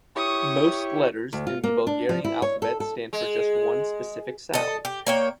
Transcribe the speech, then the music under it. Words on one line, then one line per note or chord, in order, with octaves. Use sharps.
Most letters in the Bulgarian alphabet stand for just one specific sound.
E4 G4 C#5 C#6 D#6
D2
F4
A#3
D4
F3
E4
C#5
A4
A4
G#3
A4 D#5
G4
A#3 C#5 G5